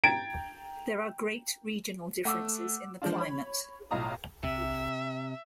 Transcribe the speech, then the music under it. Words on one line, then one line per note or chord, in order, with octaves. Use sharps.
There are great regional differences in the climate.
G5 A#5 G#6 A6 D7
A3 F#5 D6 E6
F3 G#3 D4 F4
C#5 B5
B1 A2 F4 D#5 A#5 D#6
C3 E5